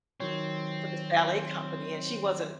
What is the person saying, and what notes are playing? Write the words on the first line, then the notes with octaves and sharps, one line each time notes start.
for this ballet company, and she wasn't,
D#3 F#3 C4 C#5